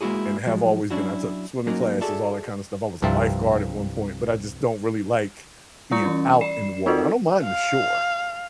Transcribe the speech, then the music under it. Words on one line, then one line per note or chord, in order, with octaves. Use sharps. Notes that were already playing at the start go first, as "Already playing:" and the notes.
and have always been. I took swimming classes, all that kinda stuff. I was a lifeguard at one point, but I just don't really like being out in the water. I don't mind the shore,
G#3 A#3 C#4 E4 F#4 G#4
F3 F#3 G#3
F#3 C#4 D4 E4 F#4
F#3 A#3 C#4 D#4 F#4 A#4
F#4 G#4 A4 D5 E5
C2 G2 F3 C4 E5 A5
G3 F4 A#5 C#6 C#7
E3 C#4
D5 C7 E7
C4 D#4 F4 F#4 A4 A#4
F5